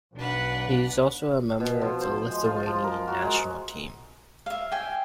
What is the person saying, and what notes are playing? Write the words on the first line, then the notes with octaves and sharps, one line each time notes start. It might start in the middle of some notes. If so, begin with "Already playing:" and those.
He is also a member of the Lithuanian national team.
B1 D4 B4 F#5
B2
F3
C5
G#3
F4
F3
A#4
F#4
G#3
E5 F5
G5 G#5